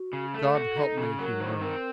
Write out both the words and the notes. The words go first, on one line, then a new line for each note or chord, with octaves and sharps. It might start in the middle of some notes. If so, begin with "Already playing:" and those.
"God help me!" he murmured.
Already playing: F#4
C#3
A3 A4
F#4
D#4
C#3
F#3 A#4
D#3 C5
C4 A#4